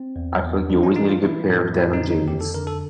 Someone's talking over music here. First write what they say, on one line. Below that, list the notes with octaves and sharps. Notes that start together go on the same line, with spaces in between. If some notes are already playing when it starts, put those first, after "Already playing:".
I feel like you always need a good pair of denim jeans
Already playing: C4
E2
E2
E3 D4
C#4
E3 D#4
F4
E3 E4
A2
F2 E4
D#4
D3
D#4
F2 G4
A4
D3 A#4
A4